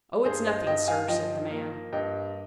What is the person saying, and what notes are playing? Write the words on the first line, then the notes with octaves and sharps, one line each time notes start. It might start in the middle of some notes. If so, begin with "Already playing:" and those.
"Oh, it's nothing, sir," said the man.
G2 G#4 C5
C5 D#5
G2 D#5 G5
F5 G#5
F3 D#5 G5
A#3
G2 D#5 G5